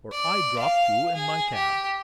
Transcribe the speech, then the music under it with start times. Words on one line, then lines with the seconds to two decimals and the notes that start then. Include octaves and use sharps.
For I dropped you in my cab.
0.12 D5
0.59 F5
1.15 G#4
1.54 G4